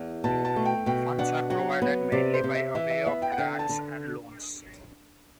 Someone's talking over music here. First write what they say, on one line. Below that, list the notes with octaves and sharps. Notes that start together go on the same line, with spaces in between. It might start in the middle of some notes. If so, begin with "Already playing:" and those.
Funds are provided mainly by a way of Grants and Loans.
Already playing: E2
B2 A5
A5
A3
G5
B2 G5
D4 F#5
F#3 F#5
B3
C3 D5
C5
C3
E5
E3 E5
E5
B3 E5
G5
F#5
D3 G5
A5
D3